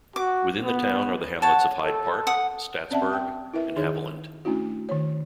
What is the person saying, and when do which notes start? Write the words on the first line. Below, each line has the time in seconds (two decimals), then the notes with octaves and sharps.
Within the town are the hamlets of Hyde Park, Staatsburg, and Haviland.
0.16 F#4 D6
0.63 B3
1.42 C#5 F#5 A5
1.82 A4
2.27 F#5 D#6
2.91 C4 C#4 D5 E5 F#5 A5
3.13 G5
3.54 E4 A#4 B4 E5
3.76 D#3 D#4 G#4 C#5
4.45 A3 C#4 D4 E4 F#4
4.89 D#3 C#5